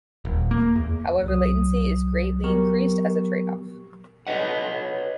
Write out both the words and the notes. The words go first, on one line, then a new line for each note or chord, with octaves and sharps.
However, latency is greatly increased as a trade-off.
D#1
A#3
E2
C2 F#3 D#6
F#3 B3 G4 A#4 C#6
B4 C#5 D#5 F#5